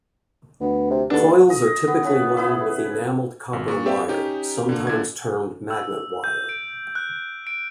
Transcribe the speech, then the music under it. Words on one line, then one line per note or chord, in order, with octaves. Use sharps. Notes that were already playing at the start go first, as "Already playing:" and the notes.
Coils are typically wound with enamelled copper wire, sometimes termed magnet wire.
D2 B3
C3
D#2 B3 D4 A4
D#5
B3 D#5
C#3 E3 B4
E4 G#4 B4
G#1
A#2 C#6
C4 G4 D5 E5 F5 G5
C#4 D#4 G4
D3 A#3
A#2 D3 G#6
E6
G6
D7
F#6
D7